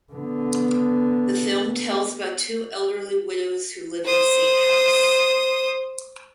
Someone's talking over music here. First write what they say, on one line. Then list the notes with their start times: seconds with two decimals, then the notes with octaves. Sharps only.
The film tells about two elderly widows who live in the same house.
0.13 D3 B3
4.05 C5 D#6